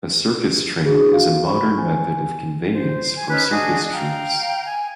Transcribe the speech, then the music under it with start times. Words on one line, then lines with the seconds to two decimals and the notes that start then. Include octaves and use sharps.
A circus train is a modern method of conveyance for circus troupes.
0.85 D4 E4 F#4 G#4
1.13 F#4 F5
1.47 C5 B5 C#6
1.78 G#5
2.73 C5
3.15 G#5
3.29 C#4 D#4 B4
3.50 D4 F#4 G#4 D#5
3.92 F5 G5 A#5
4.67 G#5